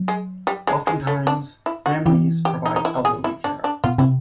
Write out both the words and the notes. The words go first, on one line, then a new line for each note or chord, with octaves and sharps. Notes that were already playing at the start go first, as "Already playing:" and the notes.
Oftentimes, families provide elderly care.
Already playing: F#3
G#3
G3
G#3
G#3
A3
D4
E4
F#4
E3 G4
G4
D#4
D#4
E4
G#4
E4
D4
D4
B2 F4
C3 E4